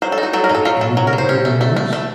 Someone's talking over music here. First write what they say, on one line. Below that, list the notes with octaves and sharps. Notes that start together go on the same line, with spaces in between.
Had any one heard the noise?
F#3 C5
A4
D#4
F#4
F#3 A4
A#4
D#4
A4
F#3 F4
F#3 A4
F#3
A#4
F#3
C5
C#4
A3
A3
A3
A3